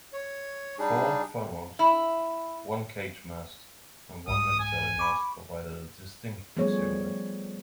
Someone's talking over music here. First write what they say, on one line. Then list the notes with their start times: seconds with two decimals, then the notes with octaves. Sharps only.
Four funnels, one cage mast, and one military mast provided a distinctive silhouette.
0.13 C#5
0.79 G3 D4 D#4 G#4
1.79 E4
4.28 C2 G#2 D#6
4.60 G#5
4.99 B5 C#6 D6
6.57 F3 G3 A3 B3 G#4 C#5